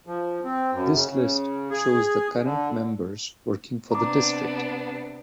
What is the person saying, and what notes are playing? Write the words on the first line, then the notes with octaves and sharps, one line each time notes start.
This list shows the current members working for the district.
F3
C4
F#2
C#3
C#3
G#4
D3
C3 B3 D4 A#5 D6